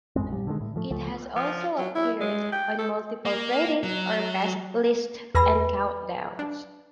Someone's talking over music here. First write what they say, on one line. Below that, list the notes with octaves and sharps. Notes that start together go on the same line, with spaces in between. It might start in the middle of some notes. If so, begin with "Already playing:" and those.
It has also appeared on multiple "greatest" or "best" lists and countdowns.
A1 F#2 G#3 C4
A#1 G3
D3 D#3 F3 G#3
A2
F3 A3
C#2 F3 A3
F3
F#3
E4
G#3
G5
A4
A#3
F#3
E2 G#4 B4 B5 A#6
D4